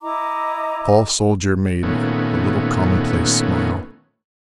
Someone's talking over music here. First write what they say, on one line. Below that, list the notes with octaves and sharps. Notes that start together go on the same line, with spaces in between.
The tall soldier made a little commonplace smile.
E4 D#5 A#5 D6
A#2 D#3 A3 B3 C#4